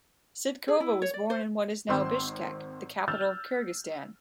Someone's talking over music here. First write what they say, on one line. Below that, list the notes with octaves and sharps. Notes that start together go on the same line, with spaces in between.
Sydykova was born in what is now Bishkek, the capital of Kyrgyzstan.
G#4
E4
C#5
D5
C5
G#1 D#3 C4 C6 E6
E6 F6 G6 A6